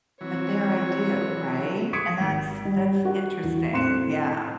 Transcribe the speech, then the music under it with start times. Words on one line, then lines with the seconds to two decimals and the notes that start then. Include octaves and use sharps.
But there I do, right? And that's that's interesting, yeah.
0.21 E3 F#3 C4 C#5
1.93 D#6 G#6 B6 C#7 D7
2.20 G#1
2.65 G3
3.05 F#4 F#5
3.43 E2
3.73 A2 C4 C6 F#6 C#7 E7